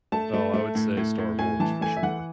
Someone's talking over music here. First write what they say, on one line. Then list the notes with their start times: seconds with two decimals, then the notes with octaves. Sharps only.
oh, I would say Star Wars, for sure.
0.12 A3 A5
0.33 A3
0.54 A3
0.75 A2
0.97 A2
1.18 A2
1.39 A2 G#5
1.60 E3 A5
1.81 A3 G#5
1.96 E5
2.03 E3 F#5